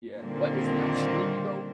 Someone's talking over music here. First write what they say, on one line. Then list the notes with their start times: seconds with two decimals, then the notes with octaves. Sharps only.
Yeah, but isn't that streaming, though?
0.17 A#2 D3 D#3 G3 A#3 C4